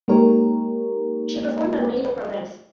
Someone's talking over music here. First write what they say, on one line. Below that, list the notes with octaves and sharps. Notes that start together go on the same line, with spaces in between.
She performed on radio programs.
G#3 A#3 D#4 G4 A#4 C#5